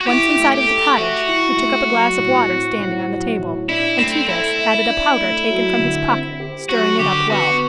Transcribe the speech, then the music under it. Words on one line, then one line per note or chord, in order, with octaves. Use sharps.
Once inside of the cottage, he took up a glass of water standing on the table, and to this added a powder taken from his pocket, stirring it up well.
F#4
E4 G4
A3
G4
A4
F#4 E5
E4
A3
F#3
A2
C4
A2
F#3
A2
D4 E4
A3 C4
E4 A4
E5
D4
A3
F#3
D3
C4
G4
F#3 F#4
D3 G4
B3 F#4